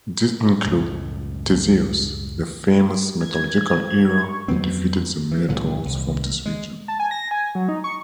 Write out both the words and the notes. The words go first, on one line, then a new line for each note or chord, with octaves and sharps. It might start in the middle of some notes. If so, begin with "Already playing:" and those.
These include Theseus, the famous mythological hero who defeated the Minotaurs from this region.
C#2 F#2 A2
G#6
C#6
F2 F#3 B3 C4
E3
C#2 A#2 D3 F#3
C2
G#3
A5
G#5
A#6
G#5
F#3
D#4
C#6